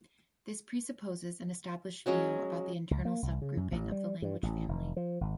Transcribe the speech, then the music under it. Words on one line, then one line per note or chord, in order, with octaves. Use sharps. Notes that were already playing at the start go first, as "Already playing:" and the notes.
This presupposes an established view about the internal subgrouping of the language family.
F#3 G#3 C#4 F#4
C#2
A#3
C2
C#3
F#2
A1
G3
G2
A1
F1
F3
G#1